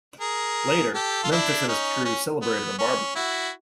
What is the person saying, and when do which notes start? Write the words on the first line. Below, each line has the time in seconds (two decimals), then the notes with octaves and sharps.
Later, Memphis and his crew celebrate at a barbeque.
0.21 G#4 A#4
0.94 G4 A4
1.24 F4
1.32 D4 E4
1.68 C#4 D#4
2.05 C#4
2.42 B3
2.78 C#4
3.15 E4 F#4